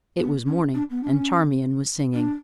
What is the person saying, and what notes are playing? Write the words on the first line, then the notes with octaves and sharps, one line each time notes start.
It was morning, and Charmian was singing.
B3
C#4
D4
B3
D4
C#4
D4